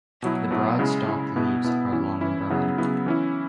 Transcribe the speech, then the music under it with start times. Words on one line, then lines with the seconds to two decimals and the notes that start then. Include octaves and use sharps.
The broad-stalked leaves are long and broad.
0.22 B2 F#3 E4
0.51 B2 F#3 E4
0.79 C#3 G#3 E4
1.08 C#3 G#3 E4
1.36 B2 B3 E4
1.64 B2 B3 E4
1.93 E3 C#4 E4
2.21 E3 C#4 E4
2.50 C#3 F#3 B3 E4
2.78 C#3 F#3 B3 E4
3.06 E3 C#4 E4